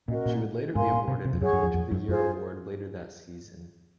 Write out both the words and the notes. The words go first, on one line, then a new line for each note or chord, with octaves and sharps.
She would later be awarded the "Coach of the Year" award later that season.
A#2 C#4 F#4 A#4 D#5
A#2
G#2 A#4 F5 G#5 C6
A#2
C3
C3
F2
F#2 G#4 C#5 F#5 C#6
F#2
F2
F2
F#2
F#2 F4 G#4 C5